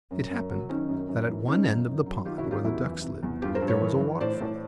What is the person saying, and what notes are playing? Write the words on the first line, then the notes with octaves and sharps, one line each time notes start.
It happened that at one end of the pond where the ducks lived there was a waterfall.
F#2
F#2
F#3
D#3 C#4 D#4
F#2
F#2
E3
C#3 C#4 D#4
F#2
F#2
F#3
D#3 F4 G4
E4 F#4
F#2
F4 G4
E2 E4 F#4
E3
C3
E2
G2 F4 G4
A#4 C5
G2
B4 C#5
E3
E3
A2 C5 D5
A2